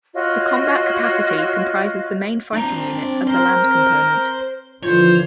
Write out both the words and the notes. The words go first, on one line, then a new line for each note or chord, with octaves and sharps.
The combat capacity comprises the main fighting units of the Land Component.
F4 F#4 C#5 D#5
C4 D4 A#5
A#4 C5
D3 E3 F3 F4 C5 C#5